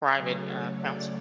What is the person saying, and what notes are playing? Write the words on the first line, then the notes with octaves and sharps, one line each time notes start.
private, uh, counselor.
C#3 F#3 A3 C#5
D5